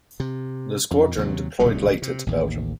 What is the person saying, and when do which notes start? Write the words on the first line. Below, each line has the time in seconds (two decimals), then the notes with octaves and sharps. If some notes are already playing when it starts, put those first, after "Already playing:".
The squadron deployed later to Belgium.
0.20 C3
0.91 F2
1.17 D#2 C3 F#3
1.59 D1 C2 D3 D#3
2.02 C3
2.26 A1 D#2